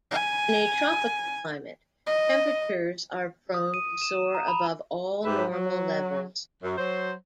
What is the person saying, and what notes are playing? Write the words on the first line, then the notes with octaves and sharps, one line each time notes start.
In a tropical climate, temperatures are prone to soar above all normal levels.
G#5
D#5
D#6
D#7
E7
A#5
B5
G#2 G4 B4 E5
F#3
F#2
F#3 C5